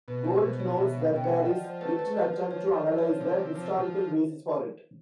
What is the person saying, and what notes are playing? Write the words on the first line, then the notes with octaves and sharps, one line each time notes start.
Bolt notes that there is little attempt to analyse the historical basis for it.
B2 B4
C5
B2 C5
C#5
B2 E5
F5
B2 G5
F#5
D#5
F3 D5
C5
A3 B4
B4
F3 B4
C5
F3 C#5
D5
F3 C5
C#5
C5
C3 C#5
F3 C5